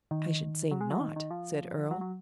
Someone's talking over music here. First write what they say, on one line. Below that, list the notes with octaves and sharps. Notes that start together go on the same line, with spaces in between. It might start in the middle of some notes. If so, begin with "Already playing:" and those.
"I should say not," said Earle.
D#3
F#3
G#3
F#3
D#3
D#3
F3
F#3
F#3